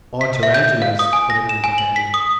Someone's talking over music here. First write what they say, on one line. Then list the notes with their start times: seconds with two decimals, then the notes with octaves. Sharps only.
"Or tarantulas," put in Uncle Daniel.
0.21 B6
0.43 E5
0.54 G6
0.82 F5
0.99 D#6
1.13 G#5
1.30 A#6
1.49 E7
1.64 G#5
1.78 F#7
1.96 B6
2.14 D#6